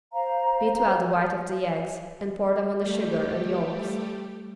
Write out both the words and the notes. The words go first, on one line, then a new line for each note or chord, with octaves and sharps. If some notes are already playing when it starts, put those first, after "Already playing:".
Beat well the white of the eggs and pour them on the sugar and yolks.
C5 F5 A#5
G3 A3 G4